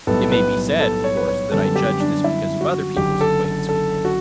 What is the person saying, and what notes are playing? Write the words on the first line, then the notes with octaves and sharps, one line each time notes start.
It may be said, of course, that I judge this because of other people's acquaintance with him.
B1 A2 G3 B3 A4
B4
A4
C#5
B4
C#5
F#2 D3 G3 B3 A4
G4
D4
E4
F#4
F#1 F#2 D3 G4
A4
A4
A4
F#4